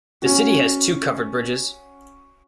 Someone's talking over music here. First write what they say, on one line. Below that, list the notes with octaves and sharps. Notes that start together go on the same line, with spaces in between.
The city has two covered bridges.
C#4 F#4